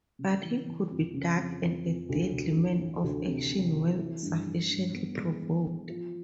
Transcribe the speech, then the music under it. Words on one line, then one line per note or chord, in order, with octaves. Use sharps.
But he could be dark and a deadly man of action when sufficiently provoked.
C#3
E3
E3
F2
C#3
F2
F2
F2
D2
D2
E3
E3
D2
C3
C3
E3
E3
G2
E3
G2
B3
G#3
E3
E3
F3